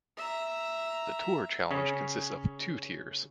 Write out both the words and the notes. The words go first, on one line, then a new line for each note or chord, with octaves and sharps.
The Tour Challenge consists of two tiers.
E5 A#5
C#3 C#4